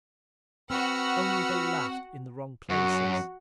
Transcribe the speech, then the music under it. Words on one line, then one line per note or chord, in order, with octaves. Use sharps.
Only they laughed in the wrong places.
C4 F#4 B4 F#5 E6 F6
F#2 F#4